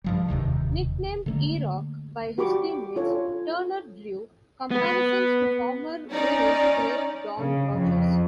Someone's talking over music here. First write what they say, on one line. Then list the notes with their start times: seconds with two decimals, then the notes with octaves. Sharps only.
Nicknamed "E-Rock" by his teammates, Turner drew comparisons to former Bruins great Don Rogers.
0.04 G2 F3 G3
0.28 E1 D#2 C3 D#3
1.26 D3 A3 A#3
2.38 F#4 G4 B5 C#6 D6
2.96 F4 A4 C#5
4.71 B3 B4
6.10 C#4 D#4 D5
7.37 C#3
7.73 F2